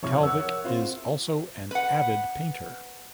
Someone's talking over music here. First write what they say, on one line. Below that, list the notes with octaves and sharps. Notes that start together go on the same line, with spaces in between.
Kalvik is also an avid painter.
F2 C3 F3 E4 C#5 C#6
A#4 C#5 E5 F#5
C4 F4 C5
B4 F#5